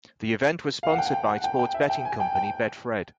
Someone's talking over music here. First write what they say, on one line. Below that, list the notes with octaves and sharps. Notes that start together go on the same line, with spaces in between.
The event was sponsored by sports betting company Betfred.
F5
F#5
G5
G5
F#5
G5
G5
E5
G5
G#5
G5
G5